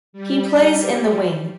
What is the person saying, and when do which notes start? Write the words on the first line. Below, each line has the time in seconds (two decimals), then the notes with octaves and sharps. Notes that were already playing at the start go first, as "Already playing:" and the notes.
He plays in the wing.
0.13 G3